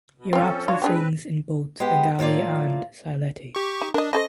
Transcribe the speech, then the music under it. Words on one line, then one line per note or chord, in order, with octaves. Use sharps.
He raps and sings in both Bengali and Sylheti.
B2
F3 C4 C#4 F4 A4
D4 F4 F#4 C#5
G#3 C4 D4 G4 B4
G#3 B3 G4 G5
A2 F3 A#3 F4 D5
G4 C#6
D#4
D4 A#4 D#5
C#4 A4 C5 D#5 A#6